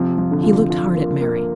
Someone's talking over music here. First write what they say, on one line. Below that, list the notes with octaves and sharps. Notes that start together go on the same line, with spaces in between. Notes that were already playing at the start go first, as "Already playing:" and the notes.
He looked hard at Mary.
Already playing: C3 F3
F3
D3
F4
F4
A#3
A#3